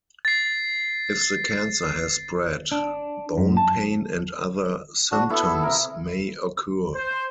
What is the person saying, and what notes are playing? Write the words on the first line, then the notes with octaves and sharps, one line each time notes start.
If the cancer has spread, bone pain and other symptoms may occur.
A6 C7
D4
F#2
A5
D4 F#4
B3 E4 A4
C3 E4 A#4
C5